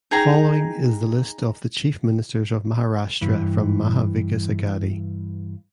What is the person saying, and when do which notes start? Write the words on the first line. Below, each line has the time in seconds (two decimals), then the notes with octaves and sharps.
Following is the list of the Chief Ministers of Maharashtra from Maha Vikas Aghadi.
0.11 D#4 G#4 G5 A#5
3.21 G2 E3